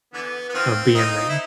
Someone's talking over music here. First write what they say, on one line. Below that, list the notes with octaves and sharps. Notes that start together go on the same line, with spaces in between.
of being there.
D3 E3 B3
B3
D#3 F3 C4
A#3 C4 D#4
E4